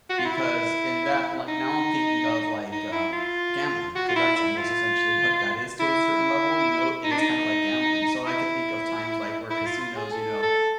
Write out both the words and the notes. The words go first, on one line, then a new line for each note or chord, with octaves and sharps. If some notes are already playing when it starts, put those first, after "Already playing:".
Because in that like now I'm thinking of, like, um, gambling 'cause that's almost essentially what that is, to a certain level, you know? It is kinda like gambling. So I could think of times, like, where casinos, you know
F#4
F4
E4
D#4
D#4
E4
F4
F#4
F4
E4
E4
F4
E4
D#4
D4
D#4
E4
E4
F4
F4
G#4
A4
A4